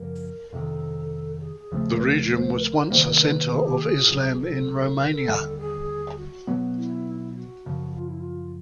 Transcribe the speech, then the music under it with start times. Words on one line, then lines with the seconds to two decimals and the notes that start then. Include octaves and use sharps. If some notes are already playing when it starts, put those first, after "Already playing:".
The region once was a centre of Islam in Romania.
Already playing: F#2 C#3 F3 A#4
0.52 F2 C3 D#3 A4
1.41 G#4
1.57 G#4
1.71 D#2 C#3 F3 A3
1.96 B4
2.01 A#4
2.36 C5
2.48 B4
2.61 A#4
2.90 C3 D#3 G3 A#3 C5
3.01 B4
3.10 A#4
3.19 B4
3.50 G#4
3.64 G4
3.80 G#4
4.09 C2 B2 F#3
4.39 A4
4.98 A#4
5.14 A4
5.28 D#2 D3 G3
5.58 G#4
6.17 F#4
6.47 B2 F#3 B3
6.76 E4
7.36 F#4
7.66 F#2 C#3 F3
7.96 F4
8.08 E4
8.20 F4